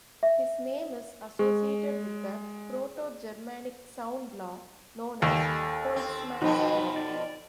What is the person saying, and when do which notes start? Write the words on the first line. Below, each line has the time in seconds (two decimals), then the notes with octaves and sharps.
His name is associated with a Proto-Germanic sound law known as Holtzmann's Law.
0.23 E5
1.39 G#3 G#4
5.22 D#2 G3 A4 D#5 G#5
5.96 C4
6.42 F2 B2 F3 D#4 F#4 B4
6.96 D5